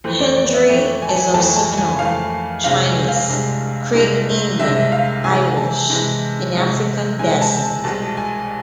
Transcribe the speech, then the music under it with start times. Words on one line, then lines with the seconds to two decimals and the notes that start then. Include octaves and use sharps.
Hendry is of Seminole, Chinese, Creek Indian, Irish and African descent.
0.04 F2 E3 A3 C5
0.21 D5
0.37 D5
0.53 E5
0.69 F2 E3 A3
1.02 G#5
1.09 A5
1.16 G#5
1.34 F2 E3 A3 A5
1.56 A5
1.78 G#5
1.99 F2 E3 A3 F5
2.64 C2 C3 G#3 D4 F5
2.86 G#5
3.08 F5
3.29 C2 C3 G#3 D4
3.94 C2 C3 G#3 D4
4.60 C2 C3 G#3 D4 E5
4.92 F5
5.24 C3 E3 G#3 G#5
5.57 A5
5.89 C3 E3 G#3
6.54 C3 E3 G#3
7.19 C3 E3 G#3 G#5
7.41 A5
7.84 C2 B2 G#3 A5
8.17 G#5